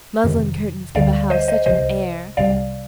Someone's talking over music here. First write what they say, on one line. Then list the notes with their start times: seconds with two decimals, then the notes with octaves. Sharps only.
Muslin curtains give a house such an air.
0.24 F2 C3 D#3
0.95 D2 D3 G3 D5 F5
1.30 C5 D#5
1.48 C5 D#5
1.66 C2 C3 F3 C5 D#5
2.37 C2 C3 G3 D5 F5